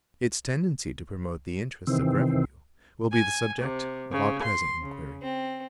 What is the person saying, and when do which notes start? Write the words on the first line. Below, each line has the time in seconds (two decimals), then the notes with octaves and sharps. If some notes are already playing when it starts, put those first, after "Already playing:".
Its tendency to promote the interests of revenue will be the subject of our present inquiry.
1.87 C3 D#3 E3 C4
3.12 G#5
3.62 C3
4.12 C#3
4.43 C6
4.81 C#3
5.21 C4